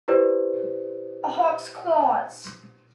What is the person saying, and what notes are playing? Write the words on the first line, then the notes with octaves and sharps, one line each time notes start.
A hawk's claws.
E4 G4 B4 C5 D5